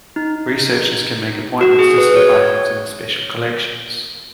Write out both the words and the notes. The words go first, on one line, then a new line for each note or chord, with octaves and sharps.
Researchers can make appointments to see items in the special collections.
D#4
F#4
G#4
B4
C#5
C#5